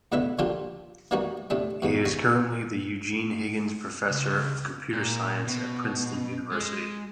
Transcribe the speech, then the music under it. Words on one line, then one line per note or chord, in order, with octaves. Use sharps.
He is currently the Eugene Higgins Professor of Computer Science at Princeton University.
E2 B2 D3 E4 B4 E5
D3 F3 A#3 D4 F4 G4
D#3 E3 G3 A#3 D#4 F#4
A2 C3 A3 D4
D#2 G#2 B2
D#2 C#6
C#2
A#2
B2
G#3